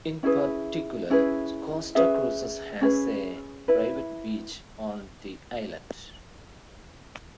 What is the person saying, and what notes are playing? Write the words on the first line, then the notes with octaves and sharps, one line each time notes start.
In particular, Costa Cruises has a private beach on the island.
C#4 E4 G#4 B4 E5
C#4 E4 G#4 B4
C#4 G#4 B4 E5
C#4 G#4 B4
E4 B4